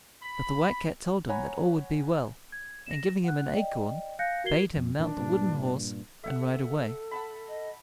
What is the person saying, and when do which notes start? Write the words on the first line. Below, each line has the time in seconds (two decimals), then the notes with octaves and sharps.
But the White Cat told him that all would be well, and giving him an acorn, bade him mount the wooden horse and ride away.
0.22 B5
1.29 C#5 F#5 G#5 A#5 B5
2.52 G#6
2.86 A#6 E7
3.24 F#5 F#6
3.53 D5 D#5 G5
4.19 F5 G#5 F#6 G6 A#6 C#7
4.44 F#4 A#4 G#6 C7 G7
4.77 F2
4.99 A#2 D#3 E3 D4
5.17 G2 A#2
6.24 A4 E5 F#5
7.11 F#5 A5 B5
7.48 D#5